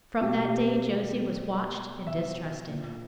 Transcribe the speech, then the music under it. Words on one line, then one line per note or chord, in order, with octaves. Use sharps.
From that day Josie was watched and distrusted.
B2 G4
E5
A#2